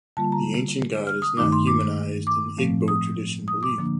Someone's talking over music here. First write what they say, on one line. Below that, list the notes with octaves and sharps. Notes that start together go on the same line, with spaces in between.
The ancient God is not humanized in Igbo tradition belief.
D3 G3 A#3 F4 A5
A#5
F6
D#6
G2 D#3 A3 D#4 D6
C6
D6
D6
A2 F3 A3 C4
D#6
D#6
D6
D3 F3 A#3 D4